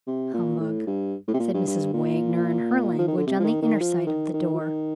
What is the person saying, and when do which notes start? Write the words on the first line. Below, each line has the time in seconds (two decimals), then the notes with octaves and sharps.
"Humbug!" said Mrs. Wagner in her language, on the inner side of the door.
0.07 C3
0.34 A#2
0.60 A2
0.87 G2
1.28 A2
1.34 C3
1.40 A#2
1.54 G2
1.68 G2
1.94 A#2
2.99 F3
3.08 D#3
3.17 D3
3.27 C3
3.40 F3
3.44 D#3
3.62 D#3
3.81 F3
4.07 D#3
4.33 D#3
4.54 F3
4.60 D#3